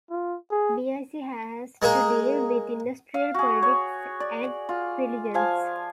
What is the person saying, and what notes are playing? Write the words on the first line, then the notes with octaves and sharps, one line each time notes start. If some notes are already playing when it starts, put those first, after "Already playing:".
Vic has to deal with industrial politics at Pringle's.
F4
G#4
G#3 A#3 G#4
F5
F#4 G#4
C#5
D5
F4
F3 F5 G#5